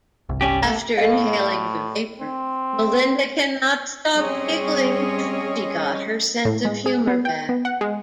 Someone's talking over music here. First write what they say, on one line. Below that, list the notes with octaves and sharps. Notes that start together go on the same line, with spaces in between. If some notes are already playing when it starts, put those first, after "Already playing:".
After inhaling the vapor, Melinda cannot stop giggling-she got her sense of humor back.
G1 C2
G3 C#4 G4
A3 A4
A2 A4 D#5 F5
C4
G3 C4 C#4 G#4 C#5 D#5
A2
G#3
G#4
B3
G5
B3
F#5
G#3